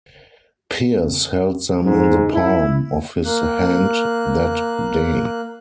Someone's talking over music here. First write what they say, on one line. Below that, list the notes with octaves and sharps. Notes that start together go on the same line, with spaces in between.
Pierce held them in the palm of his hand that day.
G#2
E4
A#3 F#6